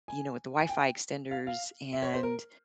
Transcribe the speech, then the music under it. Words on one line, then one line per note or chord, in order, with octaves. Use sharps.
you know, with the Wi-Fi extenders, and,
G#5
G#5
G5
F5
F5
E5
C#5
C5
A#4